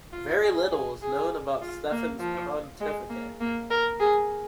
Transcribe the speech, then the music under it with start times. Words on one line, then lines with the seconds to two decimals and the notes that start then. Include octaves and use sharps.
Very little is known about Stephen's pontificate.
0.13 F4
0.43 G#4
0.71 G#4
1.02 G#4
1.62 F4
1.91 A#3
2.20 F3
2.80 G#3
3.10 A#3
3.41 A#3
3.71 A#4
4.00 G#4